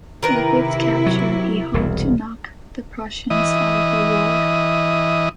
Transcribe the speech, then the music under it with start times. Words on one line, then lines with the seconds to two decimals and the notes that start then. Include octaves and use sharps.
With its capture, he hoped to knock the Prussians out of the war.
0.23 C3 D#3 E4 A#4 B4
1.06 F#3
1.74 E1 C2
3.30 E3 D#5